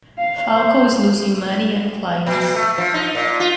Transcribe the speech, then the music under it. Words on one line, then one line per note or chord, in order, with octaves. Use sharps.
Falco is losing money and clients.
F5
C5
A#2
A3
F3
D#4
A#2
F4